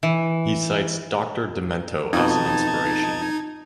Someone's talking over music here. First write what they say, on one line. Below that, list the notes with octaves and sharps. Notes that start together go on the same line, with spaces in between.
He cites Doctor Demento as an inspiration.
E3
F2 B2 D#4 A5 G#6